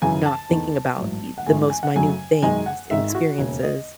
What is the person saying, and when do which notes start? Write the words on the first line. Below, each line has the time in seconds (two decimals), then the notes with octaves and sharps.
not thinking about, y the most minute things and experiences.
0.02 F#2 C#3 E3 G#5
0.26 A5
0.50 E2 D#3 A3
0.98 A1 G#2 F#3
1.38 F#5
1.46 G#1 G#2 E3 A3 G#5
1.70 G#5
1.83 F#5
1.94 F#2 C#3 F#3 A3 G#5
2.43 F#2 D#3 G#3 G#5
2.66 F#5
2.90 G#1 G#2 D#3 G#3 E5
3.10 E4
3.15 F#4
3.38 E1 D#2 C#3 C#5
3.63 D#5